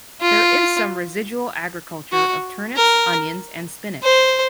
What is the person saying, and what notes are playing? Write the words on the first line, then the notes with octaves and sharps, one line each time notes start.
There is some residual agriculture of turnips, onions and spinach.
F4
F#4
A#4
C5